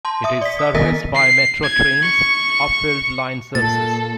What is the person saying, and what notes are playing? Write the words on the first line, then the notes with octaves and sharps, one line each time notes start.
It is serviced by Metro Trains' Upfield line services.
A5 C6
E5 D#6
D5 B6
D#6
D#3 B3 A#4 D#5 A#6 B6
C7
G#6
C#6
A#2 A4 A6